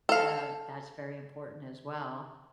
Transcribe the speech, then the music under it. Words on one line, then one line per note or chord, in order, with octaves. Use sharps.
Uh, that's very important as well.
A4 F5